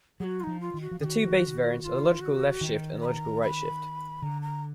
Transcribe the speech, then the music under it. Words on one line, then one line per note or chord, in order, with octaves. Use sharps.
The two base variants are the logical left shift and the logical right shift.
F#3 F#4 G#4
F4
F3 D#4
F4
D#3
F#4
F3
D#3 F#4 G#4
F#4
F4
F#4
D#3
B5
A#5
B5
D3 A#5
A#5